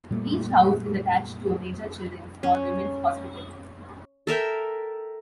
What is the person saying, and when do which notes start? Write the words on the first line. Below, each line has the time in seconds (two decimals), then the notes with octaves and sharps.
Each House is attached to a major Children's or Women's hospital.
0.11 A#2 G3 A3 A#3
2.43 C#4
4.27 A4 A#4 E5 G5